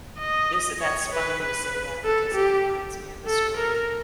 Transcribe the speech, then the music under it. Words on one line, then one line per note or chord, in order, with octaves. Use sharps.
Listen, that's funny you say that because it reminds me of the story.
D#5
C#5
B4
B4
A4
G4
A4
A#4